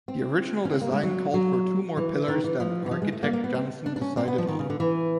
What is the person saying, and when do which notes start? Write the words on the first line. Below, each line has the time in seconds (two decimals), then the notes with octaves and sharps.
The original design called for two more pillars than architect Janssen decided on.
0.08 C4
0.65 C#4
0.71 C4
0.81 A#3
0.92 G#3
1.03 F#3
1.34 F#3
1.97 E3
2.28 D#3
2.44 E3
2.60 F3
2.86 E3
2.91 F3
3.02 G#3
3.12 A3
3.23 A#3
3.33 A#3
3.44 B3
3.55 C4
3.86 D4
3.96 D4
4.01 C#4
4.17 C4
4.28 B3
4.38 F3
4.48 D#3
4.59 C#3
4.70 D3
4.80 E3